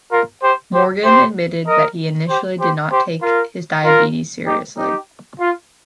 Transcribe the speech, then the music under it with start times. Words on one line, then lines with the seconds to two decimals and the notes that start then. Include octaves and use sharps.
Morgan admitted that he initially did not take his diabetes seriously.
0.11 F4 A#4
0.43 G4 C5
0.74 G4 C5
1.05 G4 C5
1.67 A#4 D#5
2.29 G4 C5
2.60 G4 C5
2.92 G4 C5
3.23 F4 A#4
3.85 F4 A#4
4.47 D#4 G4
4.78 D#4 G4
5.40 F4